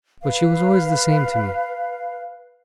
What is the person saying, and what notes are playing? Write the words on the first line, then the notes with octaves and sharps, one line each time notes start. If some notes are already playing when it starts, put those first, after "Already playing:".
But she was always the same to me.
B4 F5